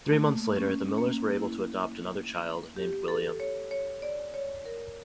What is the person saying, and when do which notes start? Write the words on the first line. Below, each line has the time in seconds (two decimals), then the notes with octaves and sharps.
Three months later, the Millers were able to adopt another child, named William.
0.09 A3
0.25 A#3
0.57 C#4
0.89 C#4
0.98 A#3
1.04 C#4
1.35 E4
2.76 G4
3.08 A4
3.40 C#5
3.71 C#5
4.02 D5
4.34 C#5
4.66 A#4